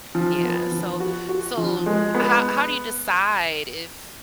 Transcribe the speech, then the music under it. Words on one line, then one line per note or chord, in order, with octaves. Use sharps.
Yeah. So so how how do you decide if
F3
B3
F3
F#4
F#4
F3
G#3
B3